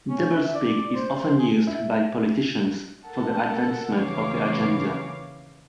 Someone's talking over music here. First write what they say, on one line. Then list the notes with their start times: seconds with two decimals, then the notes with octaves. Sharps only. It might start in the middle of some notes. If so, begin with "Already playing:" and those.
Doublespeak is often used by politicians for the advancement of their agenda.
0.10 C#4
0.36 E5
0.54 D5
0.95 C5
1.15 C5
1.38 G#4
1.67 E4
3.06 A4 A#4 F#5 A5
3.99 D#2 C#3 E3 C#5 F5 D6